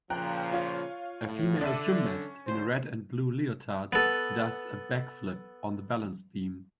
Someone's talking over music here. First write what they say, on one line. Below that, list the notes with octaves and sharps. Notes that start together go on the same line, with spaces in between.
A female gymnast in a red and blue leotard does a back flip on the balance beam.
A#2 C#3 F3 G5 A#5 F#6
F4 C#5 F5
A2
D3 D4 E5 D#7
C#4
D2 D3 C5
B3 A4